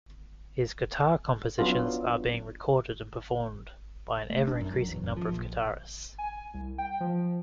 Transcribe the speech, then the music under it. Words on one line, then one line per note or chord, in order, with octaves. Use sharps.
His guitar compositions are being recorded and performed by an ever-increasing number of guitarists.
F#3 B3 C#4 D4 E4 F4
A3
D4
F#2
F#3
E2
F#2
F3
A#1
G#5
C2
G5
F3